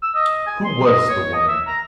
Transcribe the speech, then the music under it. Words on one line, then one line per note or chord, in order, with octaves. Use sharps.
Who was the woman?
E6
D#5
G#5
C6
D#5
C#5
D#5
E5
A#5